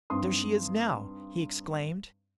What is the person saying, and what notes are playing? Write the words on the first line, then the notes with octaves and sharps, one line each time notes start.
"There she is now!" he exclaimed.
G2 C4 D#4 C6 D#6